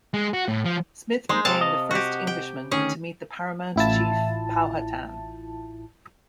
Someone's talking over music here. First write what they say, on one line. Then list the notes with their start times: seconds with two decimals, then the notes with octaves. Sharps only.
Smith became the first Englishman to meet the paramount chief Powhatan.
0.14 G#3
0.34 F#4
0.48 A2
0.65 F3
1.29 G#3 A#3 D#4 C5
1.45 C3 C4 F5 A5
1.61 D#5
1.91 F#4 G4
2.27 G5
2.71 D2 D#3 C#4 G#4
3.76 A1 E4 F4 A5